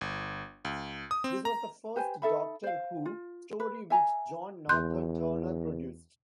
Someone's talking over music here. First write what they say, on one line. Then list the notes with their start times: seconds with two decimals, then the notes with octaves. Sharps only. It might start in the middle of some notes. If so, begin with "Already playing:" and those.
This was the first "Doctor Who" story which John Nathan-Turner produced.
0.01 G1
0.65 C#2
1.11 D#6
1.24 C4
1.45 A#5
1.96 G4 B4 C5 G#5
2.22 D#4 A4 E5 B5
2.63 C5 F5
3.06 F4
3.60 B4
3.90 E5 G#5 A#5
4.69 E2 C6 F#6 G6